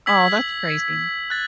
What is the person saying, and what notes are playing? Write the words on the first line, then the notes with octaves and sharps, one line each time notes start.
Oh, that's crazy.
E6 G#6 B6 F#7
F#6 A6